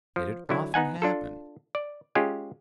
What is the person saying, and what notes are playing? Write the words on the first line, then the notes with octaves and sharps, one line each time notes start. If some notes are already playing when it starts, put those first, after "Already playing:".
Did it often happen?
F3
D3 F#3 E4
B3 D#4 F#5 G#5
D4 F4 A4
D5
G#3 C#4 F4 G4 G#4